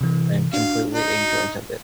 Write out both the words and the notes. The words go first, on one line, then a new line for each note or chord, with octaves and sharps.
I am completely ignorant of it.
C3 E3
D4 F#4 F5
D#4